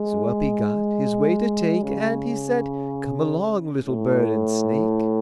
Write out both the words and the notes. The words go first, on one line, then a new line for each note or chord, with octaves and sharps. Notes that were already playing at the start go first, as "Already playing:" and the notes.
So up he got, his way to take, And he said, "Come along, little bird and snake."
Already playing: G#3
C#3
A2